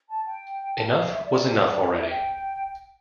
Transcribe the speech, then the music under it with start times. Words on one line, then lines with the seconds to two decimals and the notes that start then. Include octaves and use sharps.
Enough was enough already.
0.09 A5
0.26 G5
0.77 A5
0.85 G5
0.92 F5
1.10 E5
1.26 D5
1.60 D5
1.94 E5
2.10 G5